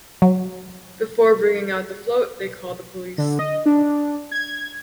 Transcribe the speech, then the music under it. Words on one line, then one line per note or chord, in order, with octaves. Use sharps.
Before bringing out the float, they call the police.
F#3
D3
D#5
D4
G#6